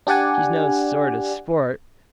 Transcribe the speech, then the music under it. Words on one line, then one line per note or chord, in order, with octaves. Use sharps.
She's no sort of sport.
D4 G4 D5 F#5 G#5